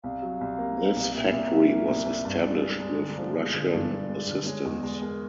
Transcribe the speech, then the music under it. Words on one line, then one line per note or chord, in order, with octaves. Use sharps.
This factory was established with Russian assistance.
C2 F5
F#3
C2
A#3
A#3
C2
A#2 E5
C2
F#3
A#3
C2
C2
G2 D5
G#3
G#3
G#3
D3
F3
G#3 D5
D3
D5
G2
D3
G#3
D3
G#3 C#5
E2 D#5
G#3 D5
G#3 A#4